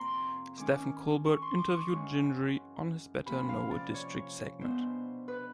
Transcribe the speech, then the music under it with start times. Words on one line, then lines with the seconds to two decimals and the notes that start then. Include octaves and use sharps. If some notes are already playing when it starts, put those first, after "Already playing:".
Stephen Colbert interviewed Gingrey on his Better Know a District segment.
Already playing: F2 C3 F3 A#3 A#5 C6
0.57 D#3 G#3 C#4 D6
1.25 C#6
1.42 C6
1.58 D6
1.75 C#6
1.92 F#2 C#3 E3 G#3
3.26 C3 F3 A#3 C#4 B5
3.49 F5
3.71 D5
3.94 C#5
4.61 B2 G#3 B3 D4 C5
5.28 B4